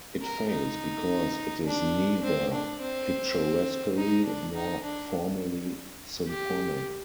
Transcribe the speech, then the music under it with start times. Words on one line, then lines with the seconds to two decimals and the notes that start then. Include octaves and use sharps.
It fails because it is neither picturesquely nor formally symphonic.
0.21 A#4
0.50 D#4
1.66 D4
2.24 C4
2.53 D4
2.81 C4
3.97 D#4
4.25 D4
4.55 D#4
4.84 D4
6.27 G4